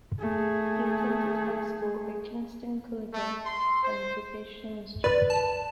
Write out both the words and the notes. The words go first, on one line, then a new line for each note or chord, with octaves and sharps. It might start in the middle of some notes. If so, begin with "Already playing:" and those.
He attended high school at Kingston Collegiate and Vocational Institute.
A3 G#4
A3
C6
C5
B4 D5
A5